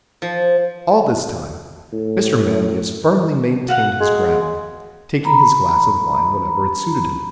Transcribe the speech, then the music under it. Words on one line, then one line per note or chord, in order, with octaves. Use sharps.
All this time, Mr. Manlius firmly maintained his ground, taking his glass of wine whenever it suited him.
F3
A2
F#4 F5 F#5
G#3
A#5 B5